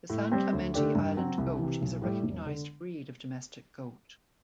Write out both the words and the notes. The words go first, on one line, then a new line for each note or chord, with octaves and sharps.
The San Clemente Island goat is a recognized breed of domestic goat.
A2
G3 C4
D2
D3 A3 D4 G4
G2
F#3 C4 F#4
C2
C3 E3
B1
A2 G3
E1
D3